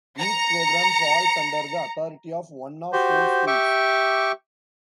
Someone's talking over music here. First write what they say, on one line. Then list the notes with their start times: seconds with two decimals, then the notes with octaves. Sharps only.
Each program falls under the authority of one of four Schools.
0.20 A#5 C#7
2.93 F#4 G4 C5
3.47 G4 E5 C#6 D6